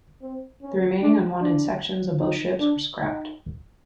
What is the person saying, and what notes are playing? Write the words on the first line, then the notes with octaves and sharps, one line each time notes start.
The remaining unwanted sections of both ships were scrapped.
C4
C#4
D4
D4
D#4
D4
D#4